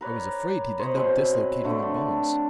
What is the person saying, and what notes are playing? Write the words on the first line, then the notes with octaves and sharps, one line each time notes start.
I was afraid he'd end up dislocating the bones.
A#4 B4 C#5 D5
C5 C#5 D#5 B5
B2 C4 B4 G#5
D3 A3 D4
D5